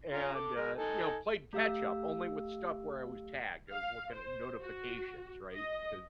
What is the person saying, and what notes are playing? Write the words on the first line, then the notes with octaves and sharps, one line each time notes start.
and, uh, you know, played catch-up only with stuff where I was tagged, I was looking at notifications, right? 'Cause
C#4 F4 A#5
A4 D6
G#3 A#4
D#4 A4 G#5
A3 G4 F5 E6
F5
C5
F#4
D#5